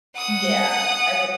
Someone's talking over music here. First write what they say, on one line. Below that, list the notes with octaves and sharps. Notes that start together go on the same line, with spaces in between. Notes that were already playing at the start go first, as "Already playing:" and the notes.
Yeah, I would
F#5 D#6